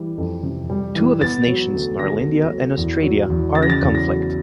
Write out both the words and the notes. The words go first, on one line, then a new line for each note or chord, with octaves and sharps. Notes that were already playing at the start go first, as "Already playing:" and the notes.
Two of its nations, Norlandia and Austradia, are in conflict.
Already playing: E3 G3
F2
C3
G3
E3
B3 A6
F#3
D2
D3 A#6
B3
F#3
E2
F#3
E2
C#3 A6
A#6
A6
E2
A#6
F#3